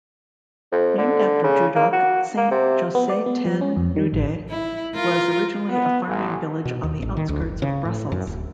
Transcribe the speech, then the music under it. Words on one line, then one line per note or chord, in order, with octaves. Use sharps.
Named after Judoc, Saint-Josse-ten-Noode was originally a farming village on the outskirts of Brussels.
F2
D3
C#3
A#3
F#4
A#3
C3
B3
D5
B3
F3
C#4
F2
D#3
A1
E4
F4 A#4
B3
A1
B2
D#2
A1
D#3
D2
F#1
C#3
A2
F#2
D1